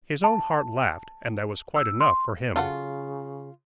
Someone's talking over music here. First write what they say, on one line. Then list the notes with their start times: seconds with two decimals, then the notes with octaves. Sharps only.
His own heart laughed, and that was quite enough for him.
0.24 A5
1.76 E6
2.00 C6
2.56 C#3 F#3 F4 A4 F#5